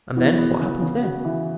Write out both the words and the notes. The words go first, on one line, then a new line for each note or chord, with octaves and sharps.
"And then? What happens then?"
E2 F#4
B3
C#3
C#3
F#4
E3